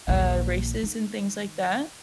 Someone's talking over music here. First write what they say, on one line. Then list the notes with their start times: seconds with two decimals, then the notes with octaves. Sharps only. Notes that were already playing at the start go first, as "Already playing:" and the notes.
uh, races and things like that.
0.08 A#1 D#2
0.83 D#3